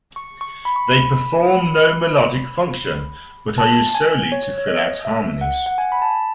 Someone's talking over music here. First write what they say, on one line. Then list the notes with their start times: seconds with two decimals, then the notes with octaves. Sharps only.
They perform no melodic function, but are used solely to fill out harmonies.
0.16 C#6
0.41 C#6
0.65 B5
0.76 C#6
0.88 B5
3.58 A5
3.95 G#5
4.32 C#5
4.58 C#5
4.68 D#5
5.05 E5
5.41 F#5
5.66 F#5
5.78 G#5
5.92 B5
6.02 A5